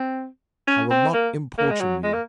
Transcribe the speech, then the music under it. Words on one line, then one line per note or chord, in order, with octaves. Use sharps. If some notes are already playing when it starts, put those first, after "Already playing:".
I will not importune you.
Already playing: C4
C#4
C4
A#3
A#3
G#3
F#3
G#3
A#3